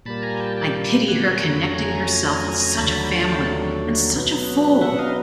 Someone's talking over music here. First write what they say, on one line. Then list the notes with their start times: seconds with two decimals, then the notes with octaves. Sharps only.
I pity her connecting herself with such a Family, and such a fool!
0.06 A#2 G3 A#3 A5 B5
0.22 G#5 A#5
0.40 G5 A5
0.57 G5 A5
1.08 F#5 G#5
1.41 F2 C#3 F#3 A3 A#5
1.52 B5
1.62 G#5 A#5
2.78 D#2 D3 F#3 A3 A5 B5
3.11 G5 A5
4.14 B2 F#3 B3
4.81 E5 F#5
4.99 D#5 F5